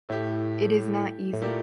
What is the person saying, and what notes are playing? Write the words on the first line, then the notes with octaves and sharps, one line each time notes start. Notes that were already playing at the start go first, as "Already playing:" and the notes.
It is not easy.
A2 A3 E4 G4
A2
A#2 A3 E4 G4 A#4 D5